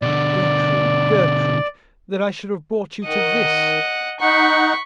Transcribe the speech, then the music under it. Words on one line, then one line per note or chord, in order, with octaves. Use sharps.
'Gertrude, Gertrude--that I should have brought you to this!'
B2 D3 D5
D#3 D#5 F#5
D#4 F#5 B5 C#6